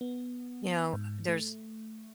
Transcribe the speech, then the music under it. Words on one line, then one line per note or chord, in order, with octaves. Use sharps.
you know, there's,
B3
G#2
A3